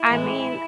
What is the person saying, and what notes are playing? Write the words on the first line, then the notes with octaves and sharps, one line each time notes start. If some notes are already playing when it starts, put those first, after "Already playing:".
I mean,
Already playing: E4
A2 E3 G#3